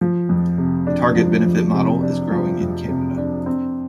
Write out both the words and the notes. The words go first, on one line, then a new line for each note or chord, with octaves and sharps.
The target benefit model is growing in Canada.
F3
F2
C3
D4
F3
F2
C3
D4
F3
F2
C3
D4
C4